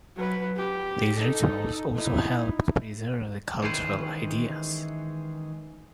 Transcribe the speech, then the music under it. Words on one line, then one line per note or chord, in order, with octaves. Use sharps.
These rituals also helped preserve the cultural ideas.
F#3 B4
G4
D#4 A4
D#4 E4
D#3 E3 G#3 C#4 B4 C5